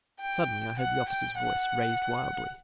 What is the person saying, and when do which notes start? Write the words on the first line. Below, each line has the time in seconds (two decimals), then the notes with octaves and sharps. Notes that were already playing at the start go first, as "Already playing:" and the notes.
Suddenly I heard the officer's voice raised wildly.
0.20 G5
0.79 F#5
1.08 G5
1.37 F#5